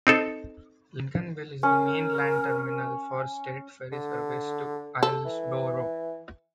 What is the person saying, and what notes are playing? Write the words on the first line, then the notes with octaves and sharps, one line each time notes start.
Lincolnville is the mainland terminal for state ferry service to Islesboro.
C4 D#4 A4
C#4 A#4
D3
A4
E3